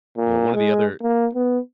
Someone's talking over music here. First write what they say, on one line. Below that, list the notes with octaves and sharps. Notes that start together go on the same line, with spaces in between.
you know, one of the other
A#2
G#3
A#3
B3